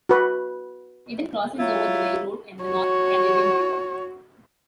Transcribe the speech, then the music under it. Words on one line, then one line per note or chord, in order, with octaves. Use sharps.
It then crosses over the railroad and the North Canadian River.
F#4 B4
F#3 E4 F4
F#4 C#5